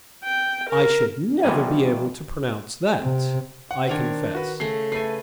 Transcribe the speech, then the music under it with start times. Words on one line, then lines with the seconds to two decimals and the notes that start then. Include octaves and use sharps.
"I should never be able to pronounce that," I confessed.
0.24 G5
0.69 A#4
1.43 B2 E3 F3 G3 A#3 G#5
3.01 C3
3.71 F#5
3.88 D#3 C4 D4 A#4 C#5
4.34 F#4 B4
4.60 C#3 A3 C7
4.92 A3 B4 G#5 C7